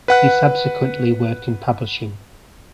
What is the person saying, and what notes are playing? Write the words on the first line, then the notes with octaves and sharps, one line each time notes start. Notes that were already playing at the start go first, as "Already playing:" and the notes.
He subsequently worked in publishing.
B4 F#5 F#6